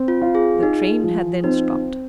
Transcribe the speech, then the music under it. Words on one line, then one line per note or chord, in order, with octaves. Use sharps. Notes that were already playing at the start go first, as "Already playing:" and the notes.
The train had then stopped.
Already playing: C4
F4
F4
G#4
D#4 G#4
F3
C4 D#4